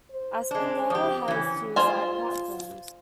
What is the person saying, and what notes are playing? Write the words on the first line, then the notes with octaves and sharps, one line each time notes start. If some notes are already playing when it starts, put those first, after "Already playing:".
Aspendale has two side platforms.
C5
G#3 D4
F2 G4
E3 C#4
F4 C5 G#5